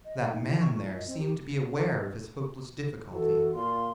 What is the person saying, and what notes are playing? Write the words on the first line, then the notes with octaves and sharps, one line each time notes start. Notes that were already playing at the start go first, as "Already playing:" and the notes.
That man there seemed to be aware of his hopeless difficulty.
D#5
E5
D#4
E4
C#6
F4
D#5
C4
G4
E3 F#4 A4
A#2 F4 C6